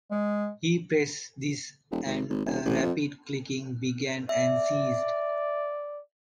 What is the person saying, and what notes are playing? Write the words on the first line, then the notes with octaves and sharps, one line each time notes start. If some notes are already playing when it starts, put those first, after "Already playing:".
He pressed this and a rapid clicking began and ceased.
G#3
E1
G#1
G#1
E1
A1
F2
D5 E5